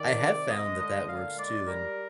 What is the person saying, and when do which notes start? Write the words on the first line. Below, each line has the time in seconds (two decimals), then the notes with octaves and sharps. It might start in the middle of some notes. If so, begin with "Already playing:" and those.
I have found that that works too, and
Already playing: D#3 D5
0.20 C3
0.49 G#3 D#5
0.78 D3 D#5
1.08 A#2 F5
1.36 G#3 D5
1.67 G3 A#4